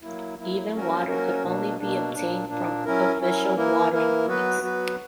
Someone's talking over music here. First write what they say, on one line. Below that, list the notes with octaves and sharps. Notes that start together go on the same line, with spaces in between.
Even water could only be obtained from official watering points.
F#3 A#3 E4
F#3 A#3 E4
F#3 A#3 C#4 F#4 A#4
F#3 A#3 C#4 F#4 A#4
B2 A#3 D4
B2 A#3 D4
A#2 A#3 D4
A#2 A#3 D4
F#3 C#4 E4 A#4
F#3 C#4 E4 A#4
E3 A#3 E4 A#4
E3 A#3 E4 A#4
F#3 B3 F#4 B4
F#3 B3 F#4 B4